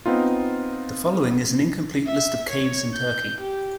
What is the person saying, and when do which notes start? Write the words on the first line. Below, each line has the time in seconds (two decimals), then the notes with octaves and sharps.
The following is an incomplete list of caves in Turkey.
0.06 B3 C4 D#4 F4
2.06 E5
2.50 C#5
2.94 G6
3.41 G4